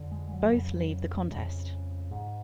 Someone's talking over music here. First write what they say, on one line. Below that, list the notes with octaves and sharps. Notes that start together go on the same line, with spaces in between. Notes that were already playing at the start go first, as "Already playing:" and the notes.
Both leave the contest.
Already playing: F2 D3
G#3
F#3
F2 C#3
F2 C#3 G#3
G#2